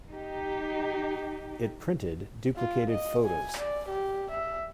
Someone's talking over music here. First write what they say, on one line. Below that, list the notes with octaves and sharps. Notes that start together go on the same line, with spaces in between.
It printed duplicated photos.
D#4 G4
F4
D#5
G#5
D5
G4
E5